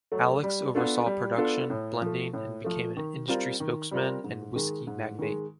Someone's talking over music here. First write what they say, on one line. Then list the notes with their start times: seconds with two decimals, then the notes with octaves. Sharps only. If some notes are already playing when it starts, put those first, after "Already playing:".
Alex oversaw production, blending, and became an industry spokesman and whisky magnate.
0.12 F#3 A3
0.43 G3
0.75 B3 D4 F4 A4
1.06 G3
1.38 B3 D4 F4 A4
1.70 A2
2.02 F3 A3
2.34 A2
2.64 F3 A3
2.97 D#3
3.28 G3 C4 F4 A#4
3.60 D#3
3.91 G3 C4 F4 A#4
4.24 G#2
4.56 D#3 G#3
4.87 G#2
5.19 D#3 G#3